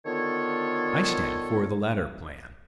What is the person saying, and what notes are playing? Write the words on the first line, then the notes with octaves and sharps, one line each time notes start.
I stand for the latter plan.
D3 D#3 B3 F4 A4 C#5